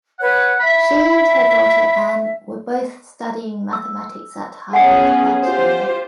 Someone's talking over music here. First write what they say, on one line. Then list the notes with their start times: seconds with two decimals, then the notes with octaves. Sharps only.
She and her daughter Anne were both studying mathematics at Harvard that year.
0.19 B4 C#5 F#5
0.59 E5 B5
3.73 E6
4.73 B3 C#4 G#4 F#5 G#5 C7
5.43 F4 G4 C5